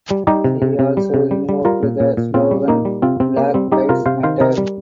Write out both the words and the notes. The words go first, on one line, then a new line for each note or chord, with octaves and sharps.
He also invoked the slogan "Black Lives Matter".
G3
G3 D#4 G4
C3
C3
C3
G3
C3
G3
G3
G3 F4 A#4
A#2
A#2
A#2
A#2 C4 F4
G3
A#2 A#3 D#4
G3
C3 C4 F4
C3 C4
C3 A#3
G3 C4
G3 D#4 G4
C3 F4 A#4
C3 C5 F5
D#3 C5 F5
C3 A#4 D#5
G3